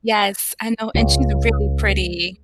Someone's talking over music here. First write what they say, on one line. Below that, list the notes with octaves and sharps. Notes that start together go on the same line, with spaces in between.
Yes, I know, and she's really pretty.
C#2